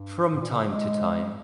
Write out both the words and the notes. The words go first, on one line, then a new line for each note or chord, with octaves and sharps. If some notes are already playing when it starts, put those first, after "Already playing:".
From time to time.
Already playing: G2
G#2
A#2
C#3
G#3